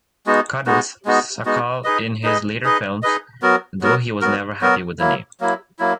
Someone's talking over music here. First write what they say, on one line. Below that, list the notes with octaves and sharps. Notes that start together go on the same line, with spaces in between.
"Cuddles" Sakall in his later films, though he was never happy with the name.
G#3 B3 D#4 F#4
G#3 B3 D#4 F#4
G#3 B3 D#4 F#4
G#3 B3 D#4 F#4
D#4 G#4 B4 D#5
D#4 G#4 B4 D#5
D#4 G#4 B4 D#5
D#4 G#4 B4 D#5
F#3 B3 F#4 A#4
F#3 B3 F#4 A#4
F#3 B3 F#4 A#4
F#3 B3 F#4 A#4
F#3 A#3 E4
F#3 A#3 E4
F#3 A#3 E4